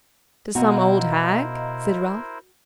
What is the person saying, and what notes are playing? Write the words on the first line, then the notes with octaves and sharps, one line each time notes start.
'To some old hag?' said Ralph.
B2 E4 F#4 A#4 C5 D#5 F5 A#5